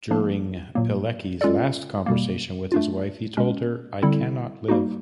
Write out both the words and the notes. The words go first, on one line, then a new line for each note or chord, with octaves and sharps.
During Pilecki's last conversation with his wife he told her: I cannot live.
F3 A#3 D4
A#2 F#3 A#3
G#3 C#4 F4 A4 D5
B2 G3 A#3
A3 D4 F4
B2 G#3 C#4
D3 G3 C4 E4 A4
G3 A#3 D#4 F#4